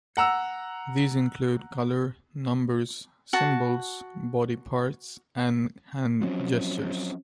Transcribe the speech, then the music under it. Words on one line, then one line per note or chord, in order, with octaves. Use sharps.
These include color, numbers, symbols, body parts and hand gestures.
F#5 A#5 E6
F#4 A5
F3 F#3 C4 C#4